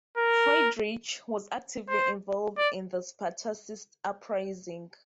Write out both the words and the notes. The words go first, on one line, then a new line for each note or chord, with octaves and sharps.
Friedrich was actively involved in the Spartacist uprising.
A#4
C5
D5